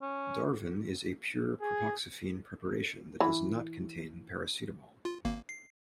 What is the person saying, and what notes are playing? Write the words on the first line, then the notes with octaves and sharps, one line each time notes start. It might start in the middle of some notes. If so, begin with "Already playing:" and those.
Darvon is a pure propoxyphene preparation that does not contain paracetamol.
C#4
G#4
E3
F4
G#1 A#3
C7